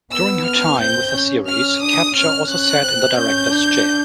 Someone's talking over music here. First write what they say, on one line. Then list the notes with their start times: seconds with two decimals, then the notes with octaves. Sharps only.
During her time with the series, Kapture also sat in the director's chair.
0.12 B3 E6
0.47 F6
0.80 C4 G6
1.14 C#4
1.48 C#4 F6
1.81 D4 D#6
2.16 C#4 F6
2.49 C#4 F#6
2.83 C4
3.17 C#4 G6
3.51 D4